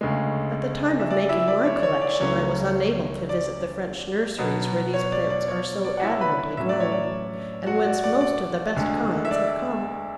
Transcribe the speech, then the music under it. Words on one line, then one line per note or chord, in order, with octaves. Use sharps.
At the time of making my collection I was unable to visit the French nurseries where these plants are so admirably grown, and whence most of the best kinds have come.
D2 C#3 G#3
E5
D5
E4 E5
D5
C#5
D5
C#5
D5
C#2 C#3 F#3 A3 C#4 C#5
D5
B2 F#3 B3
C#5
D5
D5
C#5
D5
F#5
E4 E5
B4 B5
A2 F#3 C#4 E5
D5
C#5
D5
F#4 F#5
D5
D5
D5
D2 D3 G#3
E5
D5